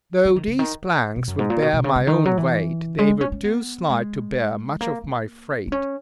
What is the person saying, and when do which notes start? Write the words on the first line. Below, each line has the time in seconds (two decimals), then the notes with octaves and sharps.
Though these planks would bear my own weight, they were too slight to bear much of my freight.
0.25 E3
0.36 D#3
0.47 C#3
0.59 D#3
1.16 B2
1.28 F#2
1.39 G#2
1.50 A#2
1.62 B2
1.73 B2
1.84 C#3
1.96 C#3
2.07 D#3
2.26 F#3
2.38 E3
2.99 G#3
3.10 B3
3.21 C#4
3.32 C#4
3.44 B3
3.89 G#3
4.81 A#3
5.04 A#3
5.67 B3
5.72 C#4